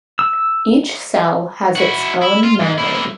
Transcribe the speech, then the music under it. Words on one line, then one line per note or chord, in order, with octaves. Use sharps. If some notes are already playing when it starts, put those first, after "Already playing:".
Each cell has its own memory.
E6
E4 F#4
E4
F4
G#2
A#3 E4